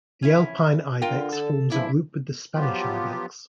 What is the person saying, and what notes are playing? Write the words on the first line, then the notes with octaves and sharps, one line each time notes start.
The Alpine ibex forms a group with the Spanish ibex.
C#4 E4
D3 F4 A#4 G5
A4
E3 F3 D4 E4
F3 F#3 B3 F4 G4